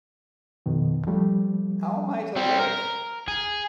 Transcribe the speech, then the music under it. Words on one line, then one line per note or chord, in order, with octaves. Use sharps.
How am I to live?
F2 B2 D#3
F3 G3 A3
G3 C4
A#4
G#4